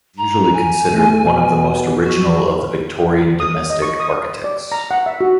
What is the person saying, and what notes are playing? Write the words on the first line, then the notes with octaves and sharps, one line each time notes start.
He is usually considered one of the most original of the Victorian domestic architects.
A#5
G#5
A3
B2
F#4
D#6
D#5
C#6
D#6
D5
A#5
F#5
E5
F#4